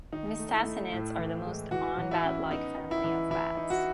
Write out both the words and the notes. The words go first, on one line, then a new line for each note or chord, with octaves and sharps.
Mystacinids are the most "un-batlike" family of bats.
D#3 D#4
A3
E4
A3
A2
E3
G#3
E3 F#4
E3
E4
C#4
B3 D#4
D#4
E4
E3
E3 E4
D#4
F#4